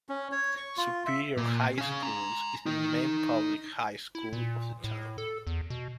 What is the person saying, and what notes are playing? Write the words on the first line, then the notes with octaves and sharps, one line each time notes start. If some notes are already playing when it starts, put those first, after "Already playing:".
Superior High School is the main public high school of the town.
C#4
C#5
C#6
F4
E5
A#2
C#4 F5
G#5 A#5
D#4 G5
E4
A#2
A2
A4
E2
B2